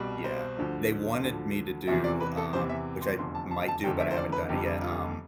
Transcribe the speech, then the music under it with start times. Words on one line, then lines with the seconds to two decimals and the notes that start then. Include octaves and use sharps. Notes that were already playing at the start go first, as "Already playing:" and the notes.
yeah, they wanted me to do, um- which I might do, but I haven't done it yet- um,
Already playing: C2 B2 G3
0.24 C5
0.57 D2 D3 F3
1.23 D2 D3 F3
1.87 E2 C3 E3 E5
2.04 D5
2.21 B4
2.37 A4
2.53 E2 C3 E3 C5
2.69 E5
3.02 C6
3.18 F1 E2 D3 F3 C6
3.35 A5
3.51 A5
3.68 A5
3.84 F1 E2 D3 F3 G5
4.00 E5
4.11 C5
4.16 D5
4.32 B4
4.49 F1 F2 D3 G3 G4
4.82 F4